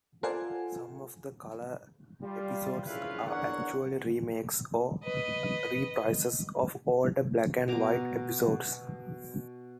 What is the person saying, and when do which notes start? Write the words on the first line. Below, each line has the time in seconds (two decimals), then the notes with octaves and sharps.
Some of the colour episodes are actually remakes or reprises of older black-and-white episodes.
0.23 F4 A4 A#4 C5 D5 F#5 G#5
2.23 G3 F4
2.86 A#1 C#3 E4 F4 B4 F5
3.27 E2 D4 A#4 C#5 F#5
5.03 B4 D#5
7.68 B2 G#5 A#5 D6